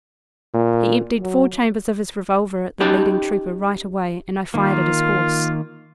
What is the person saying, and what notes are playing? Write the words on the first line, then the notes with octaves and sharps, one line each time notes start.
He emptied four chambers of his revolver at the leading trooper right away, and I fired at his horse.
A#2
F#3
C#4 D#4 G4 G5 A5
D#3 A#3 F4